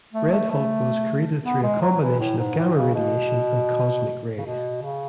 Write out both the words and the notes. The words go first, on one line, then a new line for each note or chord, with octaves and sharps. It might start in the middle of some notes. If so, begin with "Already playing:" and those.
Red Hulk was created through a combination of gamma radiation and cosmic rays.
A3
A3
A3
B3
G#3
F#3
E3
A2
G#2
A2
C#3
B2
C#3
B2
C#3